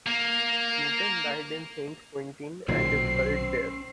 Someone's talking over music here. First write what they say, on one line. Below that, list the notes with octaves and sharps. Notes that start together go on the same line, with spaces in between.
Mouton died in Saint-Quentin and is buried there.
A#3
B1 A#2 D#3 F#3 C#4 C5 C7